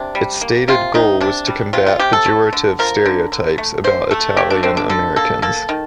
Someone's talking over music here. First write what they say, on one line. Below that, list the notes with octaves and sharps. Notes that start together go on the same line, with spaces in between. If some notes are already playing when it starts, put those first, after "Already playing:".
Its stated goal was to combat pejorative stereotypes about Italian-Americans.
Already playing: C3 D4
G3
A#3
C3 F4
C3 D#4
C3 D4
G3
C3 F4
F4
C3 G4
A4
A3
D3
F3 A#4
D3
D3
A3
D3 C5
A3 A4
A#3 G4
D4
D3 C4
D4
D3 A4
A#3 A4
A#3 A4
D#3